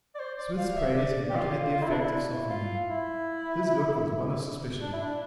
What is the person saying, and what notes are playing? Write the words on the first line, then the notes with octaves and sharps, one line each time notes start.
Psmith's praise had not had the effect of softening him. His look was one of suspicion.
D5
C5
D5
F5
E5
D5
G4
F4
F4
E4
D4
E4
F4
E4
D4
E4
D4